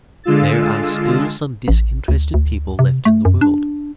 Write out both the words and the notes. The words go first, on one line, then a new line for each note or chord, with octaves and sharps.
There are still some disinterested people left in the world.
D3 G#3 F4 E6 A6
A1
D2
D2
C3
A3
F#2
D4